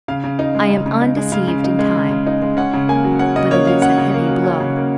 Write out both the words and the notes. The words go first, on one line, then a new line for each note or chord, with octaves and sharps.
I am undeceived in time! But it is a heavy blow!
C#3 F5
C#3
D#4
G#3
C#3
C#3
D#4
G#3
C#3 F5
C#3
D#4
G#3
C#3
C#3
D#4
G#3
C#4 F#5
C#3
A#3 G#5
F#3
C#4 F#5
C#3 D#5
A#3 C#5
F#3 F5
C#4 F#5
C#3
A#3
F#3
C#4
C#3
A#3